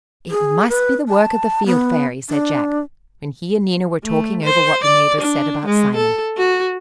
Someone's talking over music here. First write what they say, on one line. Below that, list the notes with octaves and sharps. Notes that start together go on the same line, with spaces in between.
"It must be the work of the Field Fairy," said Jack when he and Nina were talking over what the neighbors said about Simon.
G#4
B4
A5
B3
D4
A3
C5
D5
D4
G#3
A4
F#4